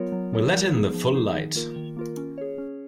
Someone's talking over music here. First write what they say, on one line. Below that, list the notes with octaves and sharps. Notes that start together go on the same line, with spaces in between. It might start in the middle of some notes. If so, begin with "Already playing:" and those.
We'll let in the full light.
Already playing: F#3 B3 F4 A#4 C#5
F#3
B3 F4 A#4 C#5
F3
B3 D#4 G#4
F3
B3 D#4 G#4
D#3
A#3 F4 A#4
D#3
A#3 F4 A#4
C#4
G#4 C#5
C#4